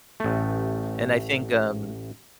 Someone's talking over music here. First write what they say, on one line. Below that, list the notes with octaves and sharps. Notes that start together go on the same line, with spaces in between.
And I think, um
A1 A3